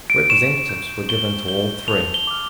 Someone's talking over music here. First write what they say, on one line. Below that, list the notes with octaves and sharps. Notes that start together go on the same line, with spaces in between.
Representatives were given to all three.
D7
C#6 E7
G6
C#6 G7
G6 G7
A5 F7
G7
D6 F6